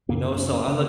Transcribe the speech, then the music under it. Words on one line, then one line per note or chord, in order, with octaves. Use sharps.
you know, so I look
F#2 C#3 A#3
C#4
A#3
C#3 C#4